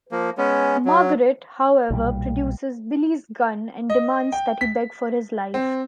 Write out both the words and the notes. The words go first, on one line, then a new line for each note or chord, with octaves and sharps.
Margaret, however, produces Billy's gun and demands that he beg for his life.
F3 A#3
G#3 B3 C#4
F#3
B1 A#2 D3 G3
D#5
G5
B6
C4